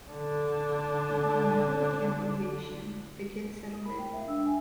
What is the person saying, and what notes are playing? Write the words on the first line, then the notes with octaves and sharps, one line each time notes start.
Upon arrival to Camp Ovation, the kids settle in.
D3 D4
A#4 B5
G5
E5 F5
G#3 D4 E6
E5 F#5 G#5